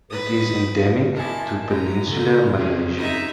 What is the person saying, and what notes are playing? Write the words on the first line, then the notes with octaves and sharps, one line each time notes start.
It is endemic to Peninsular Malaysia.
B4 D#6
B1 E4 A#4 G#5 A5
F#2 A#5
C#3 A4
C#3 C4 G4 G#4
F#2 D#4 E5